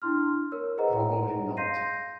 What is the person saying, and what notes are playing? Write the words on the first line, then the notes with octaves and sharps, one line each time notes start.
Probably not.
D4 E4 C6 F6
A#4 C#5 E6
G#4 B4 C5 D#5 F#5 A#5
F5 C6 G6 A#6 C7 D#7